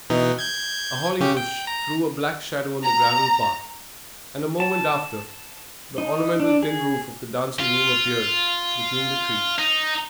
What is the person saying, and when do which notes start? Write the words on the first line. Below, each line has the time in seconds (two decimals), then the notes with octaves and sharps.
A holly bush threw a black shadow on the gravel path and a moment after the ornamental tin roof of the dancing room appeared between the trees.
0.10 B2 E3 D#4
0.39 G6 G#6
1.20 C#3 C#4 G4
1.37 G5
1.67 A#5
2.84 A#5
4.60 A5
5.98 D#4
6.40 D4
6.63 G#4
7.60 F4
9.59 D#4